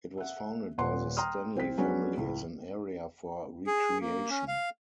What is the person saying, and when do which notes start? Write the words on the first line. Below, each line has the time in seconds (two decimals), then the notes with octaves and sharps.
It was founded by the Stanley family as an area for recreation.
0.18 E5 F#5
0.78 D#1 A#2 B4 F#5 C6
1.17 G5 A#5 C6 D#6 F6
1.55 C2 C4 G5 B6
1.78 F#3 G#3 B3 C#4 D4 F#4
2.17 C#2 A2
3.67 G#4
4.01 A#3
4.30 C#4
4.48 F5